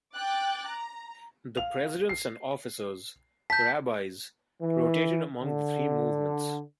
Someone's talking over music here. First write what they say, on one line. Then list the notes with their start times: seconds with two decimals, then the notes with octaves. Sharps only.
The presidents and officers, rabbis, rotated among the three movements.
0.15 G5 D6 F#6 A6
0.66 A#5
1.57 F5 F7
2.09 C7
3.50 A5 G6 B6
4.62 E3
5.43 D3